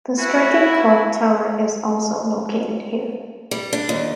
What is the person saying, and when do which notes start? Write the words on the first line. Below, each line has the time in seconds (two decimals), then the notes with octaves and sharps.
The striking clock tower is also located here.
0.18 E4 F#4 B4 G#5 B5
3.51 G3
3.73 D4
3.89 D#2